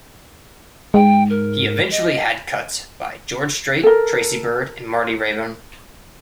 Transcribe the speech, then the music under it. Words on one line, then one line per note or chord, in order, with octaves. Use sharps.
He eventually had cuts by George Strait, Tracy Byrd, and Marty Raybon.
G#2 G5
A#4
D#5
A4 A#4